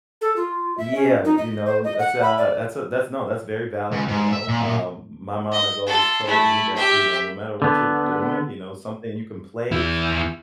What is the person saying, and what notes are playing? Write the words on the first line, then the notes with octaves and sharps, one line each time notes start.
Yeah, you know, that's, a that's a that's No, that's very valid, you know. Um, my mom has always told me that, you know, no matter what you're doing, you know, something you can play,
A4
F4
E5
C#4
D#4
D#5
C5
D#5
F#5
B5
D5
C#2
G#2
E5
A#2
A#2
D#5
F4 A4
A3 E4
G4 E5
D3 B3
E2 E4